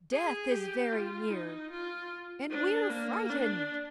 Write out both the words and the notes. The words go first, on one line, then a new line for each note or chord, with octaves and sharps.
'Death is very near, and we are frightened!'
G#4
G4
F4
D#4
F4
D4
A#3
D4